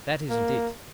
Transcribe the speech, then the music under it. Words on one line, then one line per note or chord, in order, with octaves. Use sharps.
That isn't it.
A#3